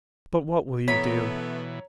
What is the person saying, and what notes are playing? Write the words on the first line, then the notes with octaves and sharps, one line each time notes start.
"But what will you do?"
B2 E3 A3 B3 C#5 A#5 B5